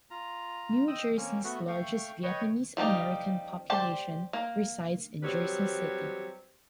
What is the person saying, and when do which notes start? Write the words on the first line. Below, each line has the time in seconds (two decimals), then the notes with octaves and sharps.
New Jersey's largest Vietnamese American population resides in Jersey City.
0.11 F4 A#5
0.87 D#5 G5 D#6 E6
1.17 A#3 C4 C#4
1.44 A3 B3 F#4
1.68 A3 F5 G5 C#6
2.23 B4 C#5 D#5 G5 C#6
2.77 F3 G3 D#4 G4
3.70 G4 C5 D5 A5
4.33 A#3
5.23 F#3 G3 C4 B4 C#5